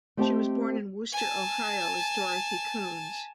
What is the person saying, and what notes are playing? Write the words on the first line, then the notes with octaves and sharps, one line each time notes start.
She was born in Wooster, Ohio as Dorothy Kuhns.
A3 C4 G4 C5 D#5 A5
G#5 A5